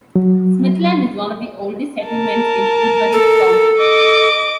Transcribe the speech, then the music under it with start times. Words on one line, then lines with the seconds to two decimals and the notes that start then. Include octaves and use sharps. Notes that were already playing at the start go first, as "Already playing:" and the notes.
Smithland is one of the oldest settlements in Woodbury County.
0.16 F#3
2.05 A#4 A5
3.12 A4
3.77 D#5 D6